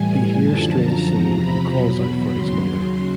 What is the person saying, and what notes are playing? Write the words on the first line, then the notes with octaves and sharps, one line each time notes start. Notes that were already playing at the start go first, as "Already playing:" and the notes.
He hears strange singing and calls out for his mother.
Already playing: A2 E3 G3 G#5
F#2 D3 F3 A5
A#5
E2 C3 F3
B5
E2 B2 F#3
D#2 C#3 F#3 C6